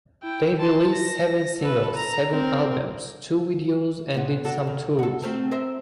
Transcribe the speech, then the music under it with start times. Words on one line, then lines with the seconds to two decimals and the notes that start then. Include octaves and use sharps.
They released seven singles, seven albums, two videos and did some tours.
0.23 E4 G5
0.59 A5 C6
0.93 A#6
1.61 A4 B4
1.96 A#5
2.30 C4 A#4
4.14 A#2 B3
4.45 D4 F#4 A4
4.67 D#3
4.99 F#4 A4
5.22 A3 C4 A#4
5.51 A#4 C5 E5